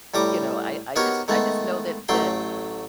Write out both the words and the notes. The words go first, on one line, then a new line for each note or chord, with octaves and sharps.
you know, I I just I just know that that,
A2 G3 A#5 D6
B3 D#4 F#4 G4 A#4 C#5
D#3 G#3 A3 B3
A1 F#3 A3 G5 C6